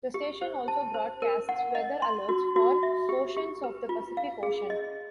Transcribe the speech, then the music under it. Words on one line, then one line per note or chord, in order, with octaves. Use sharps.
The station also broadcasts weather alerts for portions of the Pacific Ocean.
G4
C5
A5
C5
A#4
F#5
D#5
C6
F#4
F#4
E5
G4
G4
B4
F4
F5
G#4
D#5